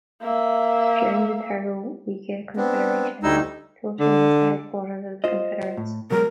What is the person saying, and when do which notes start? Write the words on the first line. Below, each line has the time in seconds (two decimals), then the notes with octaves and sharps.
During the Targowica confederation Tulchin was the headquarters of the confederates.
0.22 A#3 E5
2.57 B3 C4 D4
3.23 D2 G3 D#4 E4 D#5 E6
4.00 D3
5.24 F4 C5 D#5
5.77 A2
6.10 B2 F#3 G#3 A#4